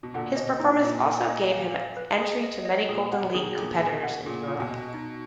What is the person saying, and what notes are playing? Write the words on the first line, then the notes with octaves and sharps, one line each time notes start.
His performance also gave him entry to many Golden League competitions in Europe.
B2
A#2 D3 F#5
B2 D#5
A#2 D#4
A#2 D#5
A#4
D#5
F5
F5
B4
G#4
D#5
D#5
A#2 G#4
B2 F#5
B2 D#3 G#4
A#2 D3 G#4
G#4
B2
F#5
A#2 G#4
F4
A#2
B2
D#5
D#4